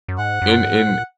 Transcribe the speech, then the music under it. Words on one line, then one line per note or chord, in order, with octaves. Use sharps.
in in
F#2
G#2 F#5
F#2
G#2
A#2